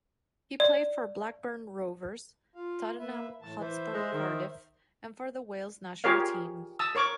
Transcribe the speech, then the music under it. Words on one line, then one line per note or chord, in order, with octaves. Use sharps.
He played for Blackburn Rovers, Tottenham Hotspur, Cardiff, and for the Wales national team.
D5
F4 F5
A#3 B4 E5
A2 E3 A5
E3 C5 E5
G#3
D#3
F4 G4 G#4 A#4 C#5 F5
A5 D#6 E6
A#4 C#5 C#6 D6